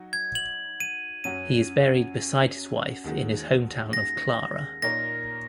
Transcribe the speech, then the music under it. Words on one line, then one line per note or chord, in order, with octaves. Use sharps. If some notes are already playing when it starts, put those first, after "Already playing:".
He is buried beside his wife in his hometown of Clara.
Already playing: F#3 D#4 F#4
G#6
F#7
D#7
F#2 F#3 C#4 F#4 D#7
D#2 D#3 G#3 F#4
A#6
A#2 A#3 D#4 A#4 C#5 A#6